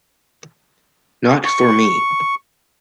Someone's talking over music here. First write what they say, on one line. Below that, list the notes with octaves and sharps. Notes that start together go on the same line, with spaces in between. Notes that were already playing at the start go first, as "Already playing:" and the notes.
Not for me.
C#6